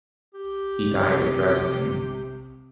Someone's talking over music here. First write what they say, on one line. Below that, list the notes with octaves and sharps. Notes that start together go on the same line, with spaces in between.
He died at Dresden.
G4
C3